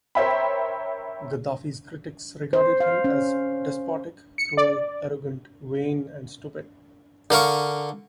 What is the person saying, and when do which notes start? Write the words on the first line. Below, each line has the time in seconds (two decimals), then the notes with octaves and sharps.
Gaddafi's critics regarded him as "despotic, cruel, arrogant, vain and stupid".
0.15 A#4 C5 C#5 E5 G5 B5
2.53 C5
2.80 F5
3.04 C#4
4.38 C#7
4.57 D5
7.30 D3 A#4 F5 C#6